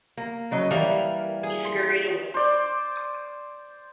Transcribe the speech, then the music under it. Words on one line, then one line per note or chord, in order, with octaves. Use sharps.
He scurried away.
A#3
C#3 F#3 D#5
E3 G3 A#3 A#4
G#4
C6
C5 D5